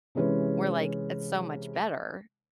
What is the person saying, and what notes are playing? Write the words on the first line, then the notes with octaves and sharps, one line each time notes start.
we're like, "It's so much better."
C3 E3 G#3 C#4 G#4 B4